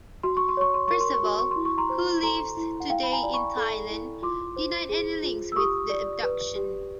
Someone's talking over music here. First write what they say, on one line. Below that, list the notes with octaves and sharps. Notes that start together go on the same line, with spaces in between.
Perseval, who lives today in Thailand, denied any links with the abduction.
F#4 C6
C#6
C6
C#5 C#6
C6
A#4 C#6
C6
C#6
F#4 C6
C#6
E4 C6
C#6
A#5 C6
C5
A4 A#5 C6
E4
F#5
E4 F5 G5
B5
G#5 A#5
D5
B5 C#6
A4
E4
F4 C6 D6
C5
G#4
F4
E6
G4 C#6 D#6
D5
B4
G4